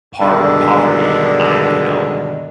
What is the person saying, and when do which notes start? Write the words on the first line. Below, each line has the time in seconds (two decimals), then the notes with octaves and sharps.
par poverty, I you know,
0.21 G2 B2 D3 D#3 G#3 D4